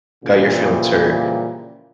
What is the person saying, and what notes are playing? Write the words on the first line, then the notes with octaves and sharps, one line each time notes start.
got your feelings hurt,"
A#2 C#3 E3 F3 G3